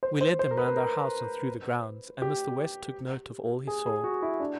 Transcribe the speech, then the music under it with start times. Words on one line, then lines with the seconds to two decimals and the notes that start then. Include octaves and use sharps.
We led them round our house and through the grounds and Mr. West took note of all he saw.
0.03 C5
0.21 C5
0.39 C5
0.51 A#4
0.58 B4
0.76 A#4
2.22 G4
3.67 G#4
3.86 G#4
4.04 F#4
4.22 E4
4.40 D4